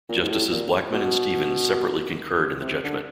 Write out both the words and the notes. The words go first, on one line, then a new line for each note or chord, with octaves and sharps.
Justices Blackmun and Stevens separately concurred in the judgment.
A#2
G#2
A2
A#2
B2
C3
D3